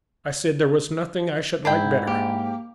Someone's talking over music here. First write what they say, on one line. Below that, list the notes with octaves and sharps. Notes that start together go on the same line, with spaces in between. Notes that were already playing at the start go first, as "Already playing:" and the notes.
I said there was nothing I should like better.
G#2 D4 E4 G5
A#3 G4